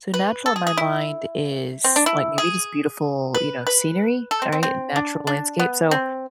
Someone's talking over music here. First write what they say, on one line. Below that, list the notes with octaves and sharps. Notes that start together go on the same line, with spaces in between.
So, natural in my mind is, like, maybe just beautiful, you know, scenery, alright, and natural landscape. So,
B4
A4
G#4
G#4
E4
C4
D4
E4
G#4
B4
B4
A4
C4
C4
C4
D4
D4
B3
C4